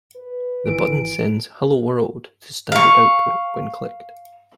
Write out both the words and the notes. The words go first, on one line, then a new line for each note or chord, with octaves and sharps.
The button sends "Hello world" to standard output when clicked.
B4
G#1 E3 D7
F5 C#6